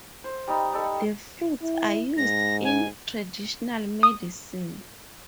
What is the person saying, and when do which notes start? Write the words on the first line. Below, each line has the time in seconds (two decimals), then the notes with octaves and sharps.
The fruits are used in traditional medicine.
0.24 C5
0.48 G3 D#4 A#5
0.73 G3 D#4 A4 C#6
1.62 E4
2.18 G#2 A#6
2.64 G#5
4.03 D#6